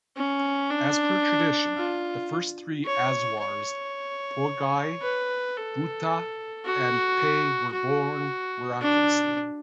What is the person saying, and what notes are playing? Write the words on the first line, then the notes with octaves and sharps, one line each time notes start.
As per tradition, the first three "azhwars", Poigai, Bhutha and Pey were born miraculously.
C#4
D4
F4
C#5
C#5
B4
A4
F#4
F#4
D4